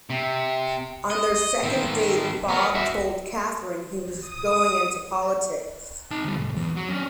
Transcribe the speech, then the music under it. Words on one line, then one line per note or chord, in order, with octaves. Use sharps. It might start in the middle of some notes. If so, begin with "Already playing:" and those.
On their second date Bob told Catherine he was going into politics.
C3
D#5
D#3 C4
B3 A#4
F#4 E5
D#6
D#4 A5
D2 G3
B1 G2
E2
F#3
C#4 D4